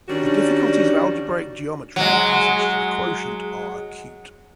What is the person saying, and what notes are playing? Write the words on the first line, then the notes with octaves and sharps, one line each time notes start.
The difficulties of algebraic geometry with passage to the quotient are acute.
D#3 G3 C#4 D4 F#4
F#3 G#3